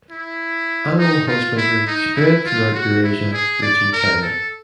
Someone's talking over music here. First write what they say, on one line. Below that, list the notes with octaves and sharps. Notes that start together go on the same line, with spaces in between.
Animal husbandry spread throughout Eurasia, reaching China.
E4
D#4
F4
E4
D#4
E4
F4
F#4
E4
G#4
D5
A#4
A4